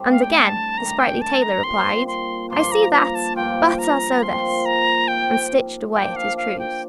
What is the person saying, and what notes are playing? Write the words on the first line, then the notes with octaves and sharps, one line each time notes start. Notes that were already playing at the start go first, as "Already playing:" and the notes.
And again the sprightly tailor replied: "I see that, but I'll sew this!" and stitched away at his trews.
Already playing: A2 G3 C4 D4
F5
G5
A5
D#3 A3 D4 A#5
G5
A5
A#5
A#2 G3 C4 C6
C6
G2 F3 A#3 C6
A#5
A#5
A5
G2 F3 A#3 F4 G5
A#5
A#2 F3 C4 C6
A#5
F3 C4 D#4 G4 G5
F3 A#3 D4 G5
F5
F5
G5